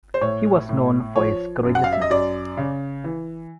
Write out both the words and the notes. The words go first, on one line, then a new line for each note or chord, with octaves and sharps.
He was known for his courageousness.
C5
A2 C#5
A2
F3 C#5
F#2
F#5
F5
E5
D#5
F#2 D5
C#3
E3